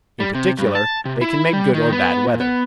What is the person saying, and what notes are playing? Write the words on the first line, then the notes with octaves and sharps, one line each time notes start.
In particular they can make good or bad weather.
G3
C3
G2
A5
C3
E4
G3
D#3
B3
A#2
B3